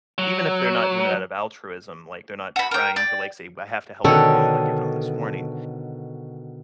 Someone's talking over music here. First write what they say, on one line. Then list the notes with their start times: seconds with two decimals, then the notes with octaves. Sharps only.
even if they're not doing it out of altruism, like they're not trying to like say "I have to help the world by giving them this warning,"
0.18 F#3
2.56 F#4 B5
2.71 A#4 G5
2.96 D5 G5
4.04 B2 D3 D#3 A4 C#5 F#5